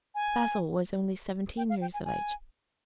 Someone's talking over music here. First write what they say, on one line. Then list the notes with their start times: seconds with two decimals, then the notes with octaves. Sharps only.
Bazil was only seventeen years of age.
0.15 G#5
1.57 G5
1.70 F5
1.81 G5
1.94 G#5
2.05 G#5